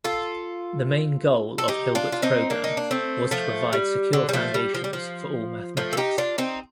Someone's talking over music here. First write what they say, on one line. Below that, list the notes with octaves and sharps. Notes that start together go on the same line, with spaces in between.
The main goal of Hilbert's program was to provide secure foundations for all mathematics.
F4 A4
A4
D#4 G4
D4 F4
F4
C4 D#4
A#3 D4
D#4
D4
A3 C4
F3 A3
G3
D3
G3
F3 A3
G3
F3
G3
F3
F3 A3
A4
D#4 G4
D4 F4
C4 D#4